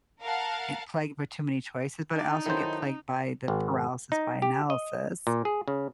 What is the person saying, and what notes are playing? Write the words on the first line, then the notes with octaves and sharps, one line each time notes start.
i plagued by too many choices, but I also get plagued by the paralysis by analysis,
A#4 F5 F#5 A5
D4 D#4 D5
D#3 F#3 E4 A4 C5
G#1
D#4
G4
D#5
A#2
G#4
C#3